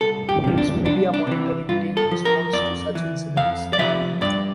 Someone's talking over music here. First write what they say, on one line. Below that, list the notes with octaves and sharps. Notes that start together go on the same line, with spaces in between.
Its Media Monitoring Team responds to such incidents.
C2 A4
G4
C3 F3
D4
C2 D4
D4
C3 E3
G2 F4
A4
F3
A#4
F2 D5
E3
F2 F5
D5
C3 F3 E5
G2 D5